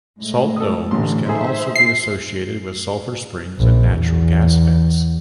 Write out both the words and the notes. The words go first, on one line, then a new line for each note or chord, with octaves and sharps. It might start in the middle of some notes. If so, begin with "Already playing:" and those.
Salt domes can also be associated with sulfur springs and natural gas vents.
A2 G#3
A4 D#6
A1 A2 D3 E3 C6
D#4 G#4 A4 C5 E5
C7
A#1
E2